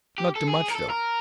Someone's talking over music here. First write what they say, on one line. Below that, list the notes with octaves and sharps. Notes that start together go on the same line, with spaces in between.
Not too much, though.
G4
A4
G#4
A#4
A4
A#4